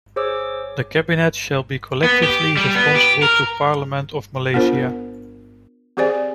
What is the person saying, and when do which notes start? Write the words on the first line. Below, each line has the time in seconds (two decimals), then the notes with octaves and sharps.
The Cabinet shall be collectively responsible to Parliament of Malaysia.
0.16 G#4 C5 C#5 D6 E6
2.04 B3
2.24 G4
2.57 G3
2.75 B3
2.95 G4
3.23 A#4
4.54 B3 D4 F4 A#4 C5
5.97 C4 G4 G#4 C5 D5 G#5